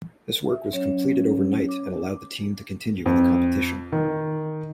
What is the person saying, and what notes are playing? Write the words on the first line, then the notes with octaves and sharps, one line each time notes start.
This work was completed overnight and allowed the team to continue in the competition.
E5
F#3 C#4 C#5
D6
F2
D#3